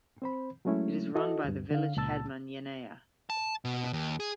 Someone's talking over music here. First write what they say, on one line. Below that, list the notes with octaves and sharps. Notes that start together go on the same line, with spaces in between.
It is run by the village headman Yeneya.
C4 C5 B5
F#3 G#3 A3 C#4 E4
E4 F#4 A4 D#5
D2 G2
D3 F5
C#2 A#2 A5 E6 A6
A5
B2
D#2
G#4